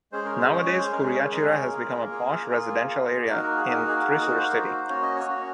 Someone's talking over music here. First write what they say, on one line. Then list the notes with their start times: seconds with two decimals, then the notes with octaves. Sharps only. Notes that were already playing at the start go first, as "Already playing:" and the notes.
Nowadays, Kuriachira has become a posh residential area in Thrissur city.
0.12 G#3 C#4 G#4 C5
0.25 A#4
0.40 C5
0.52 G#3 C#4 G#4 C#5
0.66 C#5
0.78 C5
0.92 G#3 C#4 G#4 A#4
1.05 G#4
1.19 A#4
1.31 G#3 C#4 G#4 A#4
1.71 A#3 F4 G#4
2.10 A#3 F4 G#4
2.50 A#3 F4 G#4
2.90 A#3 F4 G#4
3.29 A#3 D#4 F#4 A#4
3.43 A#4
3.57 G#4
3.69 A#3 D#4 F#4 A#4
3.88 G#4
3.96 A#4
4.09 A#3 D#4 F#4 G#4
4.22 A#4
4.36 C5
4.48 A#3 D#4 F#4
4.89 A#3 C#4 F#4 C#5
5.02 D#5
5.16 C#5
5.28 A#3 C#4 F#4